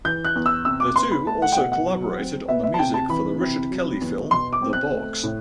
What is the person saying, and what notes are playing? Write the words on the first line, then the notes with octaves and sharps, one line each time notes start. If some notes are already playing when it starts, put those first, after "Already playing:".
The two also collaborated on the music for the Richard Kelly film "The Box".
E3 G6
F#6
E2
E6
C3 E6
D6
B3 C6
B5
A3 A5
F#5
G5
B2 F#5
F#5
F#3
C4
B3 E5
E5
A5
C3 G5
A5
E3 B5
C3
F#3
E2
B2 C6
D6
C4
F#6
A3
A2